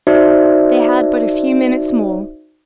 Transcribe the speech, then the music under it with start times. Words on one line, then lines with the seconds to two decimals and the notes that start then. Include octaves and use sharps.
They had but a few minutes more.
0.07 D#4 F#4 C5 D5 E5